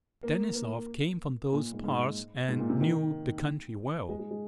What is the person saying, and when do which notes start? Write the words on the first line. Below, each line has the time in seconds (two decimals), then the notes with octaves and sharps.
Denisov came from those parts and knew the country well.
0.23 A#3
0.55 A#3
1.52 A#2
1.63 A#2
1.73 G#2
1.84 G#2
2.49 G#2
2.59 A#2
2.69 C3
2.81 D#3
4.09 G#3
4.19 G#3
4.31 G#3